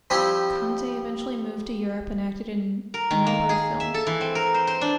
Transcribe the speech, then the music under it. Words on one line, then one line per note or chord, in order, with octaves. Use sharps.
Conte eventually moved to Europe and acted in a number of films.
F3 G3 C4 E4 G4
A#4
D#3
A#3
G#4
E5
A4
E3
C4
A#4
C5
C5
D4